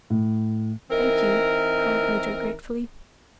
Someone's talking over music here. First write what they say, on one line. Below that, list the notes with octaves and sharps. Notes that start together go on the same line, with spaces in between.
"Thank you!" cried Ojo gratefully.
A2
E3 C4 D#4 A#4